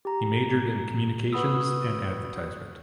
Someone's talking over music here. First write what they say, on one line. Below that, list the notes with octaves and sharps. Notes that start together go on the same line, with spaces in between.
He majored in communications and advertisement.
G4 A#5
F#4 B4 F#5 B5 D#6 E6